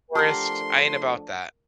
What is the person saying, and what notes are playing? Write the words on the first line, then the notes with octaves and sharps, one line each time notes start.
forest, I ain't about that.
F3 A3 D4 G4 A#4 F#5 A5 C6